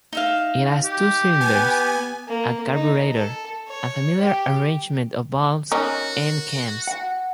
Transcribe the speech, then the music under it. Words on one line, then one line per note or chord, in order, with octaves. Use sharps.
It has two cylinders, a carburetor, a familiar arrangement of valves and cams.
D#4 E5 F5
G4
B3 G#5
A#3
D#4
A4
C#5
G4
C#4 D#4 F#4 A#4
F#5